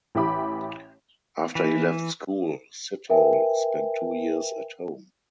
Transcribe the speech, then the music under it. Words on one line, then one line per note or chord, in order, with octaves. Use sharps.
After he left school Sithole spent two years at home.
A1 E3 G4 E5 B5 D6
E3
A#4 B4 E5 G5 G#5